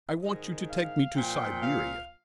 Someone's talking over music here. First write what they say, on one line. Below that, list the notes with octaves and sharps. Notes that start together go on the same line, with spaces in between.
"I want you to take me to Siberia."
G#2 D#3 D#5
F5
A#2 F3 G5
F5